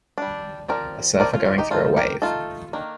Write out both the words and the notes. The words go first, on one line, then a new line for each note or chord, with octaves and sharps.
A surfer going through a wave.
G3 D4
F3 A3 C4 A#4 D5
F3 A3 C4 A#4 D5
F4
F4
D#4 G4
F3 C4 D#4 F4 A4
G4 A#4
A3 D#4 F4 A4
D#3 A#3 D4